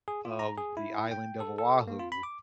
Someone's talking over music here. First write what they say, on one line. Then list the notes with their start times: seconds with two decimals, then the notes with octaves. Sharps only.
of the island of Oahu
0.08 G#4
0.25 F4
0.39 A#5
0.58 G#4
0.77 E4
1.11 G5
1.40 A4
1.58 A4
1.87 A#3
1.99 F4
2.12 B5
2.23 D6